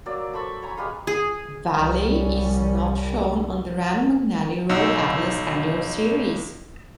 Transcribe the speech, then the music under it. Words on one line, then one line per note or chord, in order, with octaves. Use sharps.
Valle is not shown on the Rand McNally Road Atlas annual series.
F#3 A#3 D5 E6
A4 C5 B5 C#6
C#5 G#5 A#5 B5
G#3 G4 B4 F5
G#4
C2 G3 C#4
B1 D#4 E6